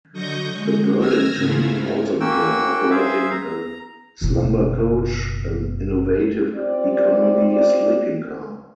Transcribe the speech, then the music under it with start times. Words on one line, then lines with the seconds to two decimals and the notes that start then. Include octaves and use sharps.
The Burlington also began operating a slumbercoach, an innovative economy sleeping car.
0.12 D3 F#3 D#5 C#6 G6 A#6
0.51 G#3
0.98 E6 F6 G#6 A#6
1.35 G#2 C#3 A3 B3 E4 F4
1.74 C3
2.20 A#3 C#4 F#4 F#5 G5 E6
2.90 G#4 C5 E5 F5
3.31 A#5
4.21 F#1 B2
6.56 C4 F4 G4 D5